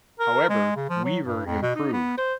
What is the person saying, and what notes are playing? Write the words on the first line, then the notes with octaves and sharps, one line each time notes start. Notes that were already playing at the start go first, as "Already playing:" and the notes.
However, Weaver improved.
A#4
G#3
C#3
F3
F#3
G2
F2
B2
D#4
B3
C5